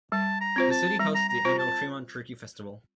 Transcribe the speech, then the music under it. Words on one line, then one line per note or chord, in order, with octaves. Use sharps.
The city hosts the annual Tremont Turkey Festival.
G3 A5
A#5
C4 F4 C5
A5
G3 A#5
A#5
A#5
C4 F4 C5
A5